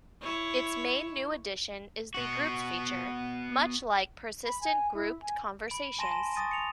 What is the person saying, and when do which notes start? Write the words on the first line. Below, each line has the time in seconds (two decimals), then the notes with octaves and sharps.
Its main new addition is the Groups feature, much like persistent grouped conversations.
0.22 E4 C#5
2.14 B3 F#4
4.44 B5
4.61 G#5
4.94 E4
5.22 G#5
5.68 B5 D7
5.99 G#5 A5 C6 A#6 D#7 E7
6.11 G#5 A5 E7
6.36 G#5 C#6 D#6 A6 A#6 D#7
6.51 C#7 F7